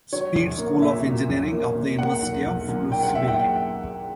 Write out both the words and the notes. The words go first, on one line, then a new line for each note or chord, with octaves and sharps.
Speed School of Engineering of the University of Louisville.
F#3 C#5
A#1
A#3
A#2 E5
F#3
A#1
A#3
A#2
A#3 F#5
B1
B1
A#2
A#3 G5
F#5
B1 E5
G5
G5